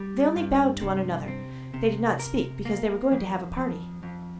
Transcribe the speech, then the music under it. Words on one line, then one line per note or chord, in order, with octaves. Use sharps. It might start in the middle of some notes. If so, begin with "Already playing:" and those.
They only bowed to one another; they did not speak, because they were going to have a party.
Already playing: G3
G2
C3
C4
C3
A#4
A#3
F2
F2
F2